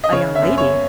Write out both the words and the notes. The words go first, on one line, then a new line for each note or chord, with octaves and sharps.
"A young lady?"
D#5
C#3 C#5
E5
F#2
C#5